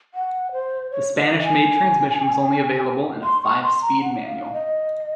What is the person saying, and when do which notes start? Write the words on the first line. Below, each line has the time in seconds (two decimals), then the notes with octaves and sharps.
The Spanish-made transmission was only available in a five-speed manual.
0.14 F#5
0.52 C5
0.91 C#5
1.17 D#5
1.43 G#5
3.23 C6
3.43 C#6
3.63 C6
3.82 A#5
4.02 F#5
4.27 F5
4.53 D#5